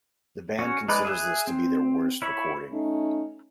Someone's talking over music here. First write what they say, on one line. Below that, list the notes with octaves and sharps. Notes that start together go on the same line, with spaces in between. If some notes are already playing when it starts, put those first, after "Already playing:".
The band considers this to be their worst recording.
C#4 F#4
G#3 D#4 B4 D5
G#4 E5 F#6
C4
E4 C#5 B5
A3 C#4 D#4